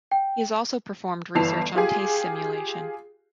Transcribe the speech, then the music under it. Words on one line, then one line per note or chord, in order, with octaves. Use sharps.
He has also performed research on taste simulation.
G5
G1 E3 A5 C7 F7
F4 G4 G#4